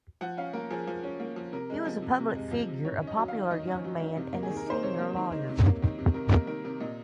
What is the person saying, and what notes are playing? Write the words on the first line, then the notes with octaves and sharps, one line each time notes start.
He was a public figure, a popular young man, and a senior lawyer.
F3 F#5
C#4 F5
A#3 A#4
F3 G#4
F3
C#4
A#3
F3
C3 A#4
G#3
F3
C3
C3
G#3
F3
C3
D#3 C#5
C#4
D#5
F#3
F5
D#3
D#3 D#5
C#4
F#3
D#3
C3
A#3
G#4
D#3
A#4
D#4 C5
C3 C#5
A#3
D#3
D#4
C3
A#3
D#3
C3
C3 A#4
A#3 A#4
D#3 A#4
C3 A#4
A#2 D#5